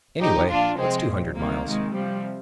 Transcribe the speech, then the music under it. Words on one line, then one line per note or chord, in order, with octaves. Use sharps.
Anyway, what's two hundred miles!
A#2 F3 D#4 G4
A#2 F3 D4 F4
C3 F3 G#3 C4
A#2 F3
C3 D#3 G3 A#3
C3 D#3 G#3
C3 F3 G3